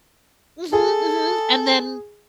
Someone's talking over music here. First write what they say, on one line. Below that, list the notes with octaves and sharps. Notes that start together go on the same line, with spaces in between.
Mhm, mhm, and then
G#4 A4